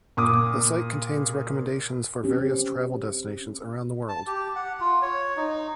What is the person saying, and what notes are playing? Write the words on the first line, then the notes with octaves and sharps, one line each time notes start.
The site contains recommendations for various travel destinations around the world.
A#2 D6 D#6
C4 C#4 G4
A5
G4
F#5
F4
C#5
D#4